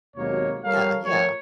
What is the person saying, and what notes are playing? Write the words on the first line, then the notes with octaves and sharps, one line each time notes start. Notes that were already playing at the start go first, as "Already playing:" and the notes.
Yeah, yeah.
G#1 D#2 B2 F#3 A#3 C#5
G3 A4 A#4 C#5 F5
F3 A3 A#4 C#5